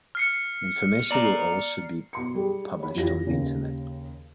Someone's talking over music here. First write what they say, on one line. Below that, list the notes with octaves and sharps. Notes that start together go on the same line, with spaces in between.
Information will also be published on the internet.
F6 C7 C#7
D5 A#5
B2 C6 C#7
G3 G4 G#4
C#5 B5
F2 E3 F4 G4 C#5 A#6
D#2 C#3